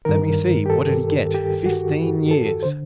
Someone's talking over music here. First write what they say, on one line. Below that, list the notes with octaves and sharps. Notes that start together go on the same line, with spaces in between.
"Let me see, what did he get--fifteen years!"
G2 D#3 A#4
G4
A4
G4
F#4
A4
C5
D3